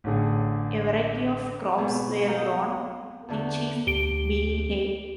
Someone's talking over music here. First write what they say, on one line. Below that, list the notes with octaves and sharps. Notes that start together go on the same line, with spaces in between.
A variety of crops were grown, the chief being hay.
A1 A2 D3 G#4
G#2 B2 F#3 G#3 B3 C4
F5 G5 A#5 D#6
E2 D3 F#4
D2 G4 D7 G7